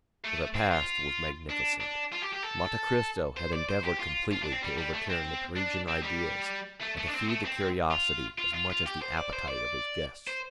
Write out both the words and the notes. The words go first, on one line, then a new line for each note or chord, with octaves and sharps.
The repast was magnificent; Monte Cristo had endeavored completely to overturn the Parisian ideas, and to feed the curiosity as much as the appetite of his guests.
A3
C4
F4
D4
D4
F4
G4
G4
A4
C5
D5
C5
G4
F4
F4
D4
C4
G3
G3
A3
C4
D4
C4
G3
A3
A3
D4
C4
A3
C4
F4
F4
F4
F4
G4
C5
D5
C5
D5
C5